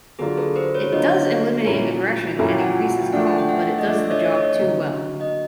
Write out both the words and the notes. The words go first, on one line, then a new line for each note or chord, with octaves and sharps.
It does eliminate aggression, and increases calm, but it does the job too well.
D3 F#3 A#3 D4 F4 G#4 A#4
A4 B4
A#4 C5
B4 C#5
D3 F#3 A#3 D4 F4 C#5 D#5
A#2 F#3 A#3 C#4 E4
A#2 F#3 A#3 C#4 E4 G#5
G5
F#5 G#5
G5
F3 A3 D4 F#5 G#5
G#5
G5
E5 F#5
D#5
F3 A3 D4 D5 E5
E5
C#5 D#5
C#5 D#5
D3 F#3 A#3
D#5